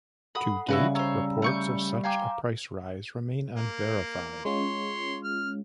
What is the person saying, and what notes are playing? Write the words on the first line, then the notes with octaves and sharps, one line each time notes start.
To date, reports of such a price rise remain unverified.
A4 F#5 B5 D#6
C#3 G3 E4 F#4 B4
C5 C#5 A#5 E6
A3 C#6 G6
F5 G5 G#5 A#5 C6 D6
A#3
G#3 C#4 F4 C#5 C6
F6